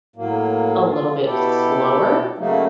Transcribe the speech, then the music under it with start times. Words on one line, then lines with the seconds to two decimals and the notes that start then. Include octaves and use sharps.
a little bit slower.
0.16 A2 F#3 A#3
0.89 F4
1.24 B2 E4 G4 A4
2.38 C#3 F#3 A3 A#3 D#4